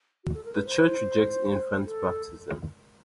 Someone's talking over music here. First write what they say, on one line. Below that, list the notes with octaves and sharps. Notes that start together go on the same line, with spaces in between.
The church rejects infant baptism.
F#4
A4
A#4
B4
C5
A4